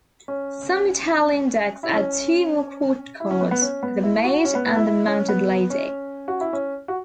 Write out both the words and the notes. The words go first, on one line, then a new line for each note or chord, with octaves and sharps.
Some Italian decks add two more court cards: the maid and the mounted lady.
C#4
E4
C#4
E4
C#4
B3
B3
C#4
B3
E4
F#4
C#4
B3
B3
E4
E4
C#4
B3
C#4
F#4
E4
C#4
F#4